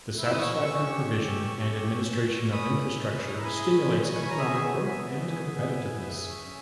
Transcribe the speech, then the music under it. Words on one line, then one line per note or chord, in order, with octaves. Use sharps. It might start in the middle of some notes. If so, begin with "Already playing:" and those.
The satisfactory provision and administration of infrastructure stimulates economic growth and competitiveness.
E4
E6
D#6
C#4 C#6 E6
C#4 C#6 E6
G4
G4
C#4
G4
C#4
C#4
C#4
C#6
C#4 B5 D#6
E4
C#4
E4
A#5
G#4 G#5 B5
C#4
C#4
C#4 C#6
B5
A#5
G#4 E5 G#5
B3
B3
B3
G#4
B3
E4
G#4
C#4